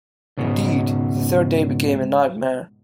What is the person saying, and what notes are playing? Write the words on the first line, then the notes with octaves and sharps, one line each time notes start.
Indeed, the third day became a nightmare.
C#2 G#2 B2